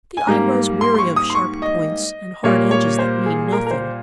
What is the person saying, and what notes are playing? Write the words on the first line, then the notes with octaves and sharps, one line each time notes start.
The eye grows weary of sharp points and hard edges that mean nothing.
G#5
G#2 G3 A#3 A#5
C6
C6
C#6
D#6
C6
C#6
D#5
A#2 G3 A#3 C#5
C#5
C5
G#4
G#4
A#4
A#4
C5